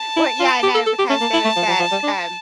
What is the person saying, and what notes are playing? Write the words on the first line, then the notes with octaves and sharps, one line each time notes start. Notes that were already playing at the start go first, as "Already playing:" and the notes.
Well, yeah, I know because there's that, um,
Already playing: A5
E4
F4
G4
A4
A4
G4
C#4 A5
A#3
E4
A3
F3
F3
F3
G3
D4